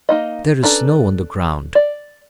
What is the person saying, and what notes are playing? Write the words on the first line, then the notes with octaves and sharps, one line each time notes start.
There is snow on the ground.
A#3 D#4 D#5
C#4 D4 A4 B4 A#5
D5